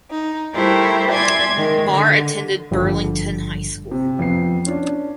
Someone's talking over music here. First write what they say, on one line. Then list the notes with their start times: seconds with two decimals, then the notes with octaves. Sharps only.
Maher attended Burlington High School.
0.11 D#4
0.54 G3 A3 E4 G4 A#4 C5
1.11 D5 E5 G#5 C6 G#6
1.54 D#3 G#3
1.89 D3
2.71 G#1 G2 A#2 D3 F3 G3
3.91 C3
4.19 F2 B3 C7
4.66 C#4 D4